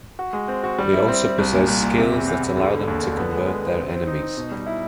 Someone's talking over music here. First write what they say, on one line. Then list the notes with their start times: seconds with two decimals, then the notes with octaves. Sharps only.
They also possess skills that allow them to convert their enemies.
0.19 F#4
0.33 G#3
0.48 C4
0.63 F#4
0.79 G3
0.93 E4
1.08 C4
1.23 C4
1.38 C2
1.53 A#2
1.68 C2
1.83 A#2
1.98 C3
2.12 E2
2.28 E2
2.43 E2
2.57 D3
2.73 D3
2.88 D#2
3.03 D3
3.17 B3
3.33 G#3
3.47 G#3
3.62 B3
3.77 C4
3.92 C4
4.07 D#4
4.22 D#4
4.37 B2
4.52 G3
4.66 E4